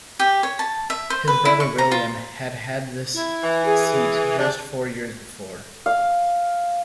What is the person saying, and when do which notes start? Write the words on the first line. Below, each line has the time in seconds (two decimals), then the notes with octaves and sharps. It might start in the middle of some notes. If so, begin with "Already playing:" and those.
His brother William had had this seat just four years before.
0.20 G4
0.43 C#5
0.59 A5
0.90 E5
1.10 C5
1.28 B4
1.45 E4
1.60 C#6
1.78 A#5
1.92 F4
3.14 E4
3.44 E3
3.65 G#4
3.90 G#4
4.39 C3 D4
5.86 F5